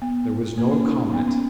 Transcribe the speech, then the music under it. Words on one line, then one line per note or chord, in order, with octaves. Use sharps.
There was no comment.
B3
A#3
C#4
D#4
B3
C#4